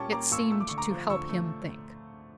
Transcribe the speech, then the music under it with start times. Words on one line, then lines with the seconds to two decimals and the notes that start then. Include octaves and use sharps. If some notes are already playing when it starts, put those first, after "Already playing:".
It seemed to help him think.
Already playing: A#2 G3 A#3 C#4 G5 A5 C#6 D6
0.12 A#3 A#5 D6
0.31 A#2 C#6 E6
0.51 A3 E6
0.60 D6
0.68 D3 C#6
0.78 A#5 D6
0.91 F3
1.10 D3 C#6 E6
1.29 A3